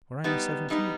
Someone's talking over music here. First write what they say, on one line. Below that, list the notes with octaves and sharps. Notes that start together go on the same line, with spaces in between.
When I am seventeen.
G3 B3 D#4
G3 B3 D#4